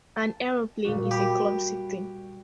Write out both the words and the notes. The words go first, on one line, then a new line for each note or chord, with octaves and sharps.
An aeroplane is a clumsy thing.
A5
A#2 G3 F#4
G4 B5